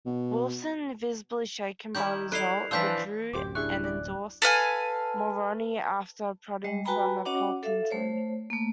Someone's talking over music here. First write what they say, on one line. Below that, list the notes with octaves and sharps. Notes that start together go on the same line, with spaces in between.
Wilson, visibly shaken by the result, withdrew and endorsed Mulroney after prodding from Pocklington.
B2
D#3 G3 E4 G6
E4 A4 D5 D#5 F#6 C7 F7
E3 F3 D4 D5 G5 E6 G6 B6
D1 F#2 G4 C5 D6
D4 E4 G#4 C#6 F#6
D5
A4 B4 F5 G#5
G3 G#3 D#5
F#4 B4 G5 G#5 A#5 B5
C#4 F#4 C#5 D#5 F#5 D6
A4 E5 F5
A3 C5 C#5
A3 A#3